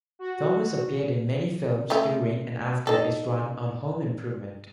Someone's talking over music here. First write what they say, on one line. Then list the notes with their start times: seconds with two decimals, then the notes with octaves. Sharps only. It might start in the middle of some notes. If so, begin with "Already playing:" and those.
Thomas appeared in many films during and after his run on "Home Improvement".
0.19 F#4
1.90 A3 C#4 F4
2.87 D#4 A4